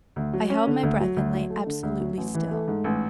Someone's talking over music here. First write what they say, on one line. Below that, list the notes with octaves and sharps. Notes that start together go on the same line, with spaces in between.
I held my breath and lay absolutely still.
D2
F#3
C#4
D3
D2
F#3
D2
F#3
A3
D3
D2
F#3
A1
E3
A3
G#2
A1